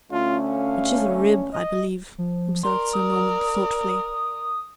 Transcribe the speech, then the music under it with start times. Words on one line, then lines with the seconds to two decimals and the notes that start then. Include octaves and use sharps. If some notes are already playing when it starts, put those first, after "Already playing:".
"Which is a rib, I believe," observed Sir Norman, thoughtfully.
0.12 D2 A3 C#4 F4
0.50 F5
1.53 D#5
2.18 F3
2.63 A#4 D5 C6
2.93 D#6